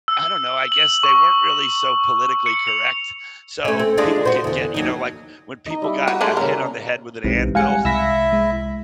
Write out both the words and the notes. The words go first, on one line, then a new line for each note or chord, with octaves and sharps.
I don't know, I guess they weren't really so politically correct so people could get you know, like, when people got, uh, hit on the head with an anvil,
E6
F#7
C#6
C#7
F7
A3 C#4
C4
G#3 D4 F4
F#4 C5
E2 D3
D#2 F#3 D#4
D#4 D#5
G3 E4
F#4
G#3 A3 D4
C#3 A#3 A#4
B1 G#2 C3 E3
G3 G#3 F5 F#5 G#5 C#7
C2 E4 E5 E6 A#6 B6
G#3